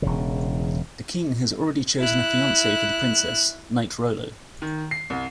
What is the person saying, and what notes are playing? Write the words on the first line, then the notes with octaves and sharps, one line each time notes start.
The King has already chosen a fiance for the Princess, Knight Rolo.
E1 E2 C#3
E4 F#6
D#3
C7
C2